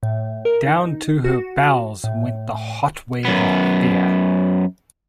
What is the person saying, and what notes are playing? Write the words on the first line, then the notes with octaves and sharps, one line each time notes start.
Down to her bowels went the hot wave of fear.
A2
A#4
D#4
F#4
A2
F#2 B3